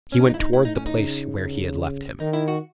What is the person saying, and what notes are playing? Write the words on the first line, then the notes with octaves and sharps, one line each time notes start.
He went toward the place where he had left him.
G#2 C#4
D#4
E4
D#4
A2 E4
D#4
C#4
D#4
C#3
C#3
D#3 D#4
E4
F#4